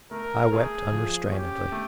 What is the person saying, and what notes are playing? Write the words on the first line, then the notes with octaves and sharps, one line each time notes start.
I wept unrestrainedly.
A3 A#4
A3 G#4
F3
C#4 G4
A3